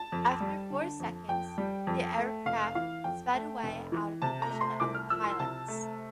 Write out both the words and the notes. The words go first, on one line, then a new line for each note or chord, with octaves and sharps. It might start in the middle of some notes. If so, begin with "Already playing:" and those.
After four seconds, the aircraft sped away out of the vision of the pilots.
Already playing: A5
F2
G3
D3
F2
F2 G5
G3
F2
A3
F1 F5
E3 F5
F2 G5
A3
F1
E3
C3 A5
A#5
A3
C6
C2 D6
F6
F3 E6
C6
C3 A5
A3